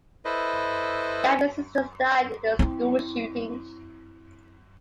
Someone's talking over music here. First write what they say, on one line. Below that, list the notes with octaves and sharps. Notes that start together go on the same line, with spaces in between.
Gabby's sister died in a school shooting.
E4 A4 B4 C5 D#5
C4 E4